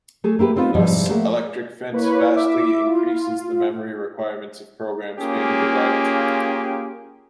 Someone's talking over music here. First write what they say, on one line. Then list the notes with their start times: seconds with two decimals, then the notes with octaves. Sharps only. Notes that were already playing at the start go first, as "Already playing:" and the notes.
Thus, Electric Fence vastly increases the memory requirements of programs being debugged.
0.24 A3 G#4
0.39 A#3 E4 G4 B4
0.56 B3 C4 D#4 F4 B4
0.75 G#2 C3 F3 G3 G#3 E4
1.09 A3 A#3 G#4 E5 F#5
1.92 A#3 E4 B4 C#5
2.35 E5 D6
2.86 F4
5.19 A#3 C#4 F4 G4 G#4